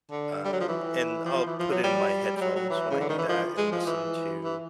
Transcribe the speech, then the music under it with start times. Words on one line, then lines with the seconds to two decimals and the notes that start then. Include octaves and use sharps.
uh, and I'll put in my headphones when I do that and listen to
0.11 D3
0.44 G3
0.53 F#3
0.60 F3
0.68 E3
1.25 F3
1.46 E3
1.59 F3
1.71 F#3
1.83 G3
2.37 G3
2.41 F#3
2.56 F#3
2.70 E3
2.90 C#3
3.00 D3
3.09 D#3
3.18 E3
3.29 F3
3.57 G#3
3.72 F3
3.86 E3
4.44 E3